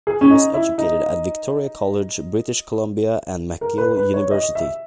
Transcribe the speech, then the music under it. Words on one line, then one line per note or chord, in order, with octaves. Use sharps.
He was educated at Victoria College, British Columbia and McGill University.
G#4
C#4
D#4
E4
D#4
A#4
B4
B4
C#5
D#5
E5